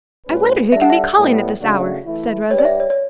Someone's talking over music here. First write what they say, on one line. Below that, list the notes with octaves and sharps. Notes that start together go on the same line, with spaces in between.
"I wonder who can be calling at this hour," said Rosa.
A2 G3 C#4 F#4 B4
G3 D4 A4 E5
F#5
E5
A2 G3 B3
C#3 F#3 A3 D4 F#4
E3 A3 E4
G3 D4 G4 B4 C#5
D5
E5
C#5
C#5